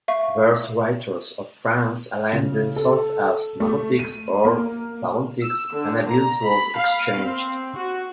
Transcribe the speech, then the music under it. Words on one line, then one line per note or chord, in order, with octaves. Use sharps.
Verse-writers of France aligned themselves as "Marotiques" or "Sagontiques", and abuse was exchanged.
E5 F5 C#6
C#3
A4
A3
D#7
A#3
E6
D3
A#5
B5
F5
C4
F#4